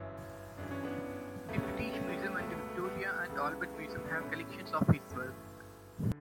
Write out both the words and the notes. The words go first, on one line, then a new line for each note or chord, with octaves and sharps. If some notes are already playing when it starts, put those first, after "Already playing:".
The British Museum and the Victoria and Albert Museum have collections of his work.
Already playing: G1 F#2 E3 C#4 E4
G1 F#2 E3 D4
C#4
B3 D4
C#2 B2 A3
C#4
G3 B3
G3 B3
A3 C#4
G3 B3
A3
C#2 B2 A3
B3
A3
A3
G3 B3
C#2 C#3 E3
A3
G3 B3
B3 D4
B1 A2 E3 A3 C#4
G3
A3
G3
G1 F#2 E3 A3
D3